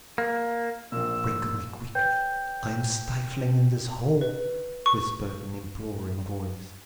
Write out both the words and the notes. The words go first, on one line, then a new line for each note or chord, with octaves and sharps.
"Sprinkle me quickly; I am stifling in this hole," whispered an imploring voice.
A#3
A#1 A#2 E6
B4 C#5 G5 G6
B4
C#6